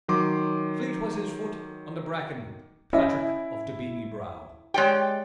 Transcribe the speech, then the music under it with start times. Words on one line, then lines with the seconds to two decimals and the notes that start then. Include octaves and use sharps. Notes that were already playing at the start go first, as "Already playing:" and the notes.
Fleet was his foot on the bracken: Patrick of the beamy brow.
0.08 D#3 F#3 C6 D6
2.93 C#4 E4 D#5
4.74 G#3 G4 C#5 D5 G5